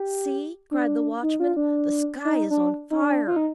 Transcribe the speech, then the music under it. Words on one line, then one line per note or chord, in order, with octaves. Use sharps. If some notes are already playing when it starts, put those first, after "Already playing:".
"See!" cried the watchman, "the sky is on fire!"
Already playing: G4
D4
D#4
F4
D4
D#4
D4
D#4
D4
F4
D#4